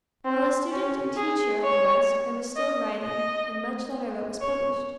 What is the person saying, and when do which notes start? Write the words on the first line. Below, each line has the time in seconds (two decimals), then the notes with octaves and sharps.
While a student and teacher at the West I was still writing, and much that I wrote was published.
0.25 C4
0.71 C#4
1.17 G#4
1.63 C#5
2.56 D#5
3.02 D#5
4.41 C#5